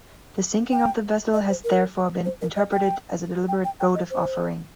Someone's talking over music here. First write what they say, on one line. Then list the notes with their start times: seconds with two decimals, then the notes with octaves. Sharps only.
The sinking of the vessel has therefore been interpreted as a deliberate votive offering.
0.72 G5
1.33 D#5
1.49 C5
1.64 A#4
2.25 C5
2.41 A#4
2.56 D#5
2.72 G5
3.48 G5
3.64 G5
3.80 G5
3.95 D#5
4.10 C5